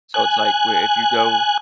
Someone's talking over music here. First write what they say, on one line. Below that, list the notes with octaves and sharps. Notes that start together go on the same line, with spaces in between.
So, it's like, we if you go
G#5 F#6